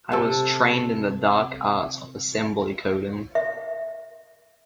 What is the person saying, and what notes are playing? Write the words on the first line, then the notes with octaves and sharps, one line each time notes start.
I was trained in the dark arts of assembly coding.
C3 A4
E5